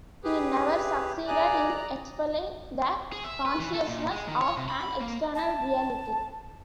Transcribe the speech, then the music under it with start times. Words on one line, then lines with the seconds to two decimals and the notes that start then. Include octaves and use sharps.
He never succeeded in expelling the consciousness of an external reality.
0.24 G4 G#4 B4
1.28 G#4 D5 G#5 A#5 F#6
3.13 G#4
3.24 E5
3.46 B4
3.59 E3
3.75 A4
3.87 A#2
4.12 G#3
4.28 D#3
4.42 C#5
4.57 C3
4.69 B5
5.01 A#3
5.34 A5